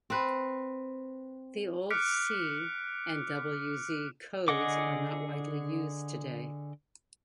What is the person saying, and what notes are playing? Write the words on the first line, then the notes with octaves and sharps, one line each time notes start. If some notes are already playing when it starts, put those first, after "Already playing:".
The old C and W Z Codes are not widely used today.
C4 B4
D6 F6 F#6 B6 C#7 D7
D3 G#4 D#5 F#5 D6